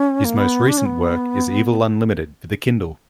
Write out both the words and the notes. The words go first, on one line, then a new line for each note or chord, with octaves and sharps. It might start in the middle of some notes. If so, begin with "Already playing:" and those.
His most recent work is Evil Unlimited for the Kindle.
Already playing: C#4
A#3
B3
D4
C#4
B3